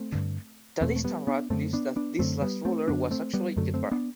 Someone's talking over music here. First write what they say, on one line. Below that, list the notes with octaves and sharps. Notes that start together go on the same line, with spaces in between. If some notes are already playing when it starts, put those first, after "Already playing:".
Taddesse Tamrat believes that this last ruler was actually Yetbarak.
Already playing: A3 C4
G2 D3
E2 B2 A3 C4
A3
G3 B3
B3 D4
F#2 D3 A3 C4
B3 D4
B3 D4
F#2 D3 A3 C4
G3 B3
A3 C4
F#2 D3 B3 D4
A3 C4
G3 B3
F#2 D3 F#3 A3
A3 C4
B3 D4